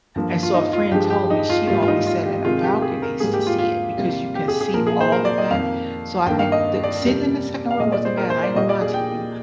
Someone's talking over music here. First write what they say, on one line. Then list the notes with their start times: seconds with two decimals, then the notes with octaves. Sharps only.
and so a friend told me she always sat in a balcony to see it because you can see all of that so I think that sitting in the second row wasn't bad I ain't gonna lie to you
0.16 G2 F3 A#3
0.43 F4
0.54 D#4
0.73 F4
0.91 G2 F3 G#3 G4
1.10 G4
1.30 D#4
1.50 F4
1.68 G#2 G3 A#3 F4
1.82 F4
1.88 D#4
2.07 F4
2.26 G4
2.45 C3 D#3 G#3 F4
2.64 G4
2.82 G#4
3.02 A#4
3.20 G#2 G3 A#3 G#4
3.34 G4
3.47 F4
3.59 F4
3.98 C3 G3 A#3
4.35 G4
4.48 G#4
4.61 G#4
4.74 A#2 F3 A#3 A#4
4.87 G#4
5.01 C5
5.12 A#4
5.25 D5
5.38 D#5
5.50 F2 D#3 A#3 F5
6.26 G2 D#3 A#3 G5
6.39 F5
6.52 D#5
6.84 D5
7.03 F2 C3 G3 A#3
7.71 F5
7.80 A#2 G#3 D#5
7.92 D5
8.05 C5
8.17 A#4
8.30 C5
8.43 D5
8.55 A#2 G3 A#3 D#5
8.69 D5
8.82 G#4
8.94 G5